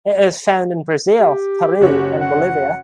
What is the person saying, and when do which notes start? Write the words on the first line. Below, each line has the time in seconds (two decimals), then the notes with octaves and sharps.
It is found in Brazil, Peru, and Bolivia.
1.20 G4
1.81 F#1 F#4 C#5
2.21 F#5